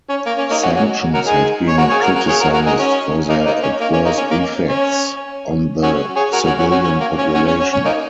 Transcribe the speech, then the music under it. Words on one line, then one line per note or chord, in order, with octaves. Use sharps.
Sanctions have been criticised for their adverse effects on the civilian population.
C#4
A#3
C#4
A#3 D#4
C#4 F#4
C#4 F#4
F#4 A#4
D#4 G#4
C#5
F#4 A#4
G#4 C#5
F#4 A#4
F#4 A#4
G#4 C#5
F#4 A#4
F#4 A#4
D#4 G#4
C#4
A#3 D#4
A#3 D#4
C#4
A#3
C#4
A#3 D#4
C#4
A#3
C#4
C#4 F#4
G#4 C#5
F#4 A#4
C#4 F#4
C#4 F#4
C#4 F#4
C#4
A#3
C#4
C#4 F#4
C#4
C#4
C#4
A#3 D#4